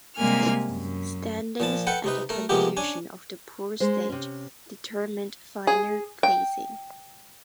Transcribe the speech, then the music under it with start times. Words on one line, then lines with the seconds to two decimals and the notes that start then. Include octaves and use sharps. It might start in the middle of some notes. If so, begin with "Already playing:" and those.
Standings at the conclusion of the pool stage determined final placings.
0.16 C3 G3 G#3 A#3 G#5 F6
0.69 F#2
1.60 A#2 F3 A5
1.87 A4 B4 F#5 G5
2.04 C3 D#4 B4
2.30 A3 A#4
2.49 C3 F3 G#3 A#3 B3 G4
2.77 C#4 D4 G#5
3.80 G#3 C5
4.09 C3 C#4
5.67 G#4
6.23 G5